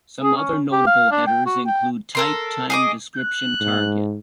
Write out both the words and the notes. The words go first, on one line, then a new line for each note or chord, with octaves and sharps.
Some other notable headers include: type, time, description, target.
G#4
C#4
G4
F5
D4
G5
F#4
G5
A4 A#4 C6
G#4 D#5 D6
F#6
G#2